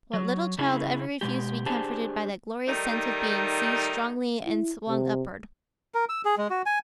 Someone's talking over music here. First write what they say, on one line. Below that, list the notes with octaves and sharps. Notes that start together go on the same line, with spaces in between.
What little child ever refused to be comforted by that glorious sense of being seized strongly and swung upward?
F#3
C#3 C#4 E4 G#4
B2 G#3 G4
D4 G4 G#4 C5 G#5 A5
D#3 G3 A3 D#4
E4
C3
A#4
E6
G#4
G#3
F#4
G#5